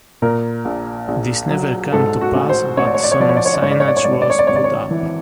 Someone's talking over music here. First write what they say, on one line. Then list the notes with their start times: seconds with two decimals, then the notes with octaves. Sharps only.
This never came to pass, but some signage was put up.
0.22 A#2 A#4
0.65 A#1
1.08 A#1
1.50 F#3
1.92 G#2 A4
2.21 F#4
2.35 A1
2.49 C5
2.77 A1 C#5
2.87 D5
2.95 C#5
3.04 D5
3.12 C#5
3.20 F3 D5
3.29 C#5
3.37 D5
3.46 C#5
3.54 D5
3.62 G#2 C#5
3.71 D5
3.80 C#5
3.88 D5
3.97 C#5
4.04 G#1 D5
4.13 C#5
4.22 D5
4.30 C#5
4.39 D5
4.47 G#1 C#5
4.56 D5
4.64 C#5
4.91 E3